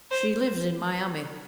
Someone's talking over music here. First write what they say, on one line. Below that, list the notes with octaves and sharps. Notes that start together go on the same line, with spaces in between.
She lives in Miami.
C5